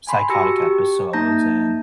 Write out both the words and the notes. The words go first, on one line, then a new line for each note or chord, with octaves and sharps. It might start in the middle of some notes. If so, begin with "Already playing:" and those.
psychotic episodes, and
G#5 B5 C6
F#4 G4 A5 E6 A#6 C#7
G4
A#3 D#4 A5 A#5 G6 A#6